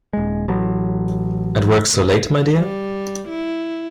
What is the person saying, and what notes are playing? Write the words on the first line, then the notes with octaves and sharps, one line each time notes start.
At work so late, my dear?
D#1 G#3
A1 F#3
G3
E4